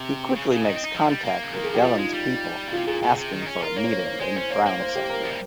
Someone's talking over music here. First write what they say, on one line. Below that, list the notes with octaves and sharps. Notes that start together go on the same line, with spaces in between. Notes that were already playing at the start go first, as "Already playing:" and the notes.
He quickly makes contact with Delenn's people asking for a meeting in brown sector.
Already playing: C3
C#3
C#3
D#3 D#5
C4
D#4
F3
G3
A#3
C#3
A#4
D#3
G#4
F3 G4
G3 F4
G#3 D#4
G3
A#2
C3 F4
A#2 G#4
A#2
C#3
C3
D#3
D#4
C#4
F4 A#4
A#3 C#5
C5
C#5
C#5
G#3 C5
C#4 C5
A#3 C#5
A#3 C5
C5
G4
A#4
F3
G3